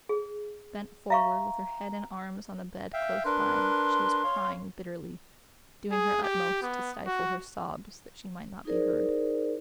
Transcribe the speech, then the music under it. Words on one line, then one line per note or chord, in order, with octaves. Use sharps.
Bent forward, with her head and arms on the bed close by, she was crying bitterly, doing her utmost to stifle her sobs that she might not be heard.
G#4
E5 F5 A#5 C#6
E5 F5 G5
D4 A#4 B4 C6
C#5 F5
G#4
G4
B3
F#4
D#4 E4 G#4 A#4 C5 D5